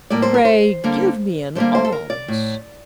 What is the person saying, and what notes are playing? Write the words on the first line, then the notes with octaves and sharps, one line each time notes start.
Pray give me an alms.'
A2 G3 A#3 D5
C5
A#4
C5
D3 G3 A#3
D3 G3 A#3 C5
C5
A4
A#4
D5
A2